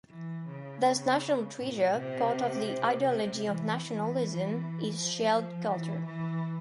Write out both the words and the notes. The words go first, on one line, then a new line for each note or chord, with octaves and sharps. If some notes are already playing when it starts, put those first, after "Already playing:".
Thus national treasure, part of the ideology of nationalism, is shared culture.
E3
C#3
A#2
C3
C3
E3
E3
F3
F3
E3
E3